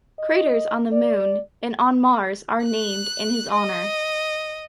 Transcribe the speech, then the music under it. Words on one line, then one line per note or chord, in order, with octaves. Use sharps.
Craters on the moon and on Mars are named in his honor.
D#5
D5
F#6
D#5